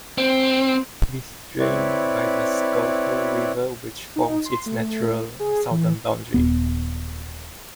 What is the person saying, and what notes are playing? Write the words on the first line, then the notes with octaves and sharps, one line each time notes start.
It is drained by the Schuylkill River which forms its natural southern boundary.
C4
C4 E4 B4 C#5 D5
D#4
C6
A3
G#4
E3
D#1 B3